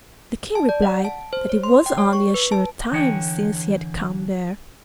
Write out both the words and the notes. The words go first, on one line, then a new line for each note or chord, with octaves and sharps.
The King replied that it was only a short time since he had come there.
A5
D5
F#5
A5
C5
C#5
C6
G5
C#5
C#6
B4
A5
D3 E3 C#5 G5